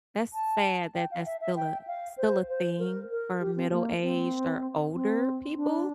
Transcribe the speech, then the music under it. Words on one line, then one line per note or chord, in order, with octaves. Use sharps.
That's sad that that's still a still a thing for middle-aged or older people.
A5
G5
F5
E5
E5
G5
F5
C5
C5
A#4
A#4
G4
C4
A#3
C4
C4
D4